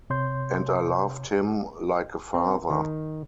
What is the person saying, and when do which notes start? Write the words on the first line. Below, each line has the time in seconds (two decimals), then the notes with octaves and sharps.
And I loved him like a father.
0.10 C3 C#5 C6 G6
2.34 C4
2.70 D#3